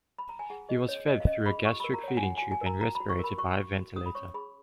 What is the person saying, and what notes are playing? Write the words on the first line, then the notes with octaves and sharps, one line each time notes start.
He was fed through a gastric feeding tube and respirated by a ventilator.
B5
A#5
G#5
G#4 F#5
G#4 D#5
C#4 C#5
C#4 D#5
F5
C#4 D#5
G#4 B5
F#4 C#6
B5
A#4
A#5
C#5 F#5
G#5
F#4 F#5
G#5
F#4
G#5
A#4
A#5
F#4 A#5
B5
F#4
C#6
A#4 B5
F#4 C#6
F#4
F#4
C#4 D#6
B5
C#5 C#6
G#4 B5